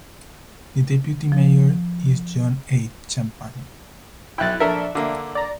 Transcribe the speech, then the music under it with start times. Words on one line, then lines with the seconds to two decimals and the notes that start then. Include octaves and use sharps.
The deputy mayor is John H. Champagne.
1.32 F3
4.38 B1 E4 G5 F#6 A6
4.60 A#1 D4 A4 A#4 E5
4.95 D3 A#3
5.35 D5 A#5